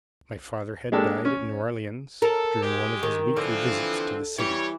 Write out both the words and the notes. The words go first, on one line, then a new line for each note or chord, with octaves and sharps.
My father had died at New Orleans during one of his weekly visits to the city.
G#3 A#3 D4 G4 A4
C#4
A4 A#4
G#3 G4
D#3
D3 E3 F3 C4
E3 G3 E4 G4 C#5